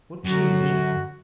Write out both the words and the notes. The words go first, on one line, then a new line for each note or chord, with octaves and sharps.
"What you mean?"
F#2 D3 F#4